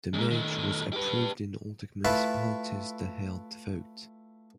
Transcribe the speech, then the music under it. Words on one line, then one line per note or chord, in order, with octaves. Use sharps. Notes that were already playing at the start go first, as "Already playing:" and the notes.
The merge was approved in all the municipalities that held the vote.
E2 G#2
D#3 A3
G4 B4
A3 E4 F4 B4 A5